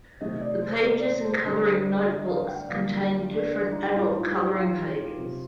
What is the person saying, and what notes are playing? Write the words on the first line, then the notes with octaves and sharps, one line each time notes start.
The pages in coloring notebooks contain different adult coloring pages.
C3 D#3 A3 C4 D#5
D5
C5
A#4
D5
C5
C5
D3 G3 C4 A#4
C5
D5
D#5
F5
G5
D3 F3 A#3 F5
G4
D4
D#4
G4
A2 G3 C4 F4
D#4
F4
G4
G4
F4
C3 F3 C4